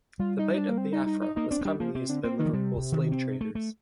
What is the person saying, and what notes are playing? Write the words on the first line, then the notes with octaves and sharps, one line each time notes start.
The Bight of Biafra was commonly used by Liverpool slave traders.
G3 F4
D#4
D#4
D4
A#3
C4
D#4
D#4
D#4
A#3 D#4
C4 D4
C4
G3 D4
F3 A#3
C3 C4
D3
A#3 C4
D#3
F3
C3 G3
D#3
C4
A3
A3